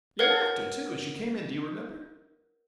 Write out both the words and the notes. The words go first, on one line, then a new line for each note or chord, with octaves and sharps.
Your laughter, too, as you came in, do you remember?
A#4 B4 C#5 F5 F#5 G#6